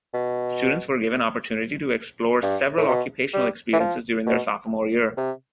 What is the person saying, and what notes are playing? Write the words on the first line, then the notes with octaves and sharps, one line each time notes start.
Students were given opportunity to explore several occupational experiences during their Sophomore year.
B2
G2
A2
B2
G3
E3
F3
B2
C3